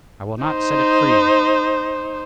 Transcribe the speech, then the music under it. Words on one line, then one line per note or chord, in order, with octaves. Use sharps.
'I will not set it free.'
D#4 C5